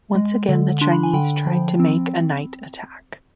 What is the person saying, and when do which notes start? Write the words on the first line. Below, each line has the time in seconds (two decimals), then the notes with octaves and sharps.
Once again the Chinese tried to make a night attack.
0.15 G#3
0.49 D3
0.81 D4 C6
0.92 B5
1.03 G#5
1.13 D3 G5 B5
1.47 F3
1.80 C4